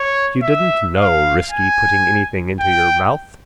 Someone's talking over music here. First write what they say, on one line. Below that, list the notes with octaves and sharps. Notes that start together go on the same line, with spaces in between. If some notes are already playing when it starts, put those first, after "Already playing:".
If you didn't know risky putting anything into your mouth.
Already playing: C#5
E5
F5
G#5
G5